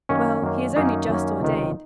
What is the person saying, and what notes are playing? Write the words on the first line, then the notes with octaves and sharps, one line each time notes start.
Well, he is only just ordained.
F#2 D#3 A#3 C#4
F#2 D#3 A#3 C#4
F#2 D#3 A#3 C#4 D#4
F#2 D#3 A#3 C#4
C#2 C3 D#3